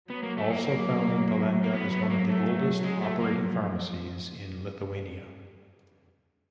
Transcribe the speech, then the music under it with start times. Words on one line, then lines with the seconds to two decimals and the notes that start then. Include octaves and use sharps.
Also found in Palanga is one of the oldest operating pharmacies in Lithuania.
0.10 F#3 B3
0.23 A#3
0.37 A3
0.50 A#3
0.64 F#3 A#3
1.64 A#3
1.74 F#3 B3
1.92 B3
2.02 A3
2.10 A#3
2.29 A3
2.84 G#3
3.02 A3
3.20 A#3
3.38 F3